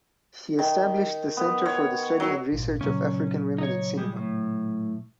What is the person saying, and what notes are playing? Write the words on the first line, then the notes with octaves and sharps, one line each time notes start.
She established the Centre for the Study and Research of African Women in Cinema.
D#3
B3
C#5
F#3
G#1 A#2
A#2 C#3 F#3 C#4
D#4 C#5
G3 G#3
A2